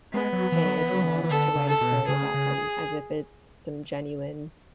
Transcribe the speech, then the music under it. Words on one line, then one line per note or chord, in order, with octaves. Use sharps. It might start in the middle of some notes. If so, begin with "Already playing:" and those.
paying a journalist to write a story about them as if it's some genuine
G#3 B3
F#3
E3
F#3
E3
F#3
E3
E3
D3 A4
C#3
A4
B2
C#3 G#4
C#3